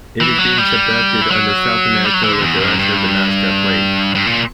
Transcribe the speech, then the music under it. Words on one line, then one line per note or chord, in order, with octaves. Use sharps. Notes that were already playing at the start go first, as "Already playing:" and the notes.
It is being subducted under South America with the rest of the Nazca Plate.
E3
F#3
G3
E3
F#3
G3
F#3
E3
D3
E2
F#2
G2
G2
A#2